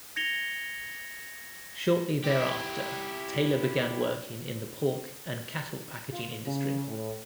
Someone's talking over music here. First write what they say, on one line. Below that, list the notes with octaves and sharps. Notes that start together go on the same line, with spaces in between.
Shortly thereafter, Taylor began working in the pork and cattle packaging industry.
G#6 A#6 C#7 F7 G7
E4 G4
F4
C#3
A2